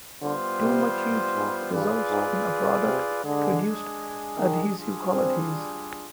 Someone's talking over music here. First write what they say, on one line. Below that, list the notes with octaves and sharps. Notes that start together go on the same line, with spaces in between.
Too much heat results in a product with reduced adhesive qualities.
D3 G3 B3 F4 C5
C3
G#2
G2 F4 G#4 B4 D5
G#2
C3
D3 G#3 D4 G#4
D#3
G3 D4 F4 G#4
C4